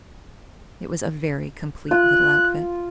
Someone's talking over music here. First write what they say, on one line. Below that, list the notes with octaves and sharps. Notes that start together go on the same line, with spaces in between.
It was a very complete little outfit.
F4 F#6